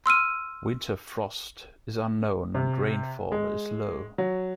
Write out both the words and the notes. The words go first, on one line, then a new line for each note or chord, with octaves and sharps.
Winter frost is unknown and rainfall is low.
C6 E6 F6 D#7
C3
G#3
F#3